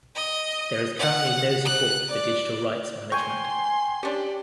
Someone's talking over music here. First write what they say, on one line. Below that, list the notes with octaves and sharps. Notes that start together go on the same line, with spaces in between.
There is currently no support for Digital rights management.
D#5
F#5
F#6
D5
G5 G#5 C6 C#6
C#4 D4 G4 D5